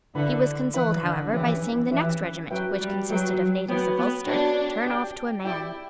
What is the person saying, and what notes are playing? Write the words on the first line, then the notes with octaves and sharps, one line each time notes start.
He was consoled, however, by seeing the next regiment, which consisted of natives of Ulster, turn off to a man.
D3 E4 B4 F#5 B5
E3 E4 B4 F#5 B5
D3
E3 C#4 E4 G4 B4 E5
E3
E3 C#4 E4 G4 B4 E5
F#3 F#4 B4 E5 G5
G3
F#3 F#4 B4 E5 G5
B3 F#4 C#5 G5
B3
D4 F#4 C#5 G5
G4 D5 G5
E4 G4 D5 G5